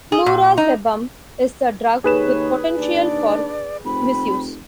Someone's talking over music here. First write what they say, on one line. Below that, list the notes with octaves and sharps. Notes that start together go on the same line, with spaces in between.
Flurazepam is a drug with potential for misuse.
G#4
A#2
D#4
D#2 G#4 B4 C#5 E7
D#2 D4 D5
F1 C4 B5